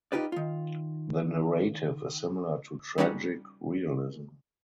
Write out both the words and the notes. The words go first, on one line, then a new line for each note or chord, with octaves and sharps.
The narrative is similar to tragic realism.
D#4 F4 G4 B4 D5
D#3 F4
G3 C#4 D#4 F#4 G4